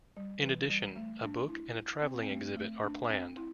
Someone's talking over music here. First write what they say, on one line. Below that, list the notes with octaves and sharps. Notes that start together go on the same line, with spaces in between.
In addition, a book and a travelling exhibit are planned.
G3
E3
G3
A3
D4
E4
C4
C4
A3
A3
D4
C4
E4